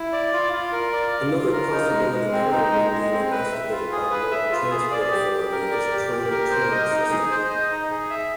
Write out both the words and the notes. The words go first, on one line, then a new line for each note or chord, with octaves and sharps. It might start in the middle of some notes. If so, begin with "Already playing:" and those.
Another possibility currently being investigated by the local transport authority is a tram-train system.
Already playing: E4
D5
F4
F4
A#4
D5
F4
F4
A#4
D#4
G#3
G#3
C4
D#4
G#3
G#3
C4
B4
E5
F4
G#4
B4
E5
F4
G#4
D5
G4
G4
A#4
D5
G4
G4
A#4
C5
D#5
D#4
G#4
C5
D#5
D#4
G#4
E5